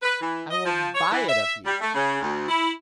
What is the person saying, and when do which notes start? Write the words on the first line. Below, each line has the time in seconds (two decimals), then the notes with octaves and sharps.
"I will buy it of you."
0.02 B4
0.21 E3
0.51 D#5
0.65 F3
0.95 C#5
1.12 E3
1.28 E5
1.65 G3
1.80 A3
1.94 C#3
2.21 D2
2.48 E4